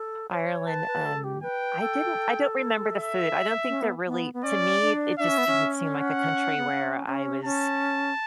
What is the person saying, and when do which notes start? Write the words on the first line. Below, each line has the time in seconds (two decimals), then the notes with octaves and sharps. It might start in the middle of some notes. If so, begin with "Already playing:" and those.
Ireland, um, I didn't I don't remember the food. I don't think they're really to me, it just didn't seem like a country where I was
Already playing: A4
0.31 C#5
0.68 B4 A5
0.87 B4
1.05 A4
1.24 G4
1.43 B4 G5
1.81 A4
2.94 E5
3.69 C#4
3.81 B3
4.07 B3
4.34 B3
4.44 C#4 D5
4.82 D4
5.19 D4 E5
5.28 C#4
5.38 B3
5.47 C#4
5.95 F#5
6.58 B3
6.70 C#4
7.07 C#4
7.45 C#4 A5